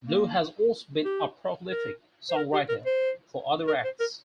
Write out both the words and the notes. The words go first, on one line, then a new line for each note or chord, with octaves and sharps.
Blue has also been a prolific songwriter for other acts.
A#3
G4
A#4
C5
A#4
G4
A#4
C5
A#4
C5
A#4